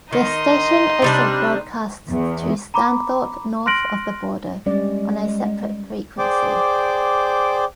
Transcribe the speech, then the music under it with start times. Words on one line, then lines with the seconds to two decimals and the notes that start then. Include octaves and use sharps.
The station also broadcasts to Stanthorpe north of the border, on a separate frequency.
0.13 D#3 D#4 D#5 C6
1.02 C3 G3 D4
2.09 E2
2.74 A#5 B5 D6
3.66 C6 F6 F#6 A#6 D7 F#7
4.66 G3 G#3 C#4 D5
6.18 G#4 C5 D5 G5 D6